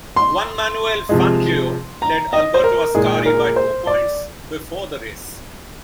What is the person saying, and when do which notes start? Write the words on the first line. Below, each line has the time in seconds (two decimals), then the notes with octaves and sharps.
Juan Manuel Fangio led Alberto Ascari by two points before the race.
0.16 C6
1.09 C3 F3 G#3
2.02 A#5
2.33 D#5
2.54 C5
2.64 A#4
2.95 A#2 G#3 G#4
3.26 A#4
3.56 C5
3.87 D5